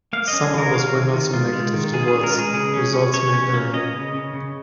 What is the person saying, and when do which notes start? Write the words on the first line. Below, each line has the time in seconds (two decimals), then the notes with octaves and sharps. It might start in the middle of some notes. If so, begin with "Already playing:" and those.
Some others were not so negative towards "Results May Vary".
0.13 A#3 F5
0.28 D#5
0.33 C#4
0.44 G#4
0.54 D#3 A#4
0.73 C#4 F5
0.94 D#3
1.13 D#3
1.33 G#3 F4
1.53 G#3
1.74 D#3
1.93 G#3 G#4
2.03 F4
2.08 G#4
2.13 C#4
2.23 A#4
2.34 G#3 G#4
2.54 C#3 G#4
2.73 C#4
2.93 C#4
3.14 C#4 C#5
3.34 C#4
3.54 A#3
3.73 C#4 D#5
3.94 C#3
4.14 C#3
4.34 C#3